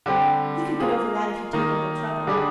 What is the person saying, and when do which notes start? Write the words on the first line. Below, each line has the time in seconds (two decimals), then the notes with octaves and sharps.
He could get over that if he'd take a little trouble.
0.06 D3 G3 C4 G4
0.80 A#3 F4 G#4
1.53 D#3 A#3 D#4
2.27 D3 G3 D4 G#4